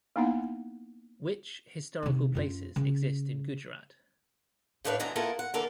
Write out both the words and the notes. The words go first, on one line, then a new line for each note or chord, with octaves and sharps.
Which historical places exist in Gujarat?
A#3 B3 D#4 E4 F#5
C3 D#4
F#2 F4
C#3
F#2 A2 A3 D4 B4 F5
D2 D3 E3 D#5 A#5
A#3 B3 E4 F4 A4 A#4
F#5
D3 E3 A#3 A4 A#4 D5